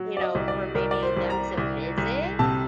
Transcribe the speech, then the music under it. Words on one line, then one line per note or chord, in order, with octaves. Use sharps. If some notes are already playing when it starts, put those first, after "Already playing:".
you know, for maybe them to visit.
Already playing: F#3
D5
D#5
C2
D5
C2 A#4
D5
C5
C2
A#5
C2
C2
C3 A5